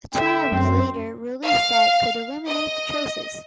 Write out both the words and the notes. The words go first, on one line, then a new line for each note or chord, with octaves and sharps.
A tool was later released that could eliminate the traces.
D3 E5 G5
F#2 C4
F5
D#5